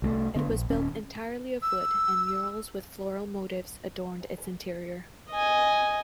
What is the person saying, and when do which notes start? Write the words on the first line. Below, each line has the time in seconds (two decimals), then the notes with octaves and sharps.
It was built entirely of wood, and murals with floral motifs adorned its interior.
0.02 C2 G3 A3
0.35 D3 B3
0.48 A#1
0.70 D#1 C#4
1.62 E6
5.31 D#5 G#5